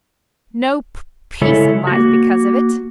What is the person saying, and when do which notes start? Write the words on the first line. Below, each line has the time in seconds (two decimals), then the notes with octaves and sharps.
No p--peace in life because of it.
1.41 C#3 G#3 E4 A4 C#5
1.87 A#3 F#4